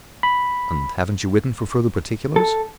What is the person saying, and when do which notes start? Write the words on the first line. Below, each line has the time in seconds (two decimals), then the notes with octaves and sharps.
"And haven't you written for further particulars?"
0.23 B5
2.36 A4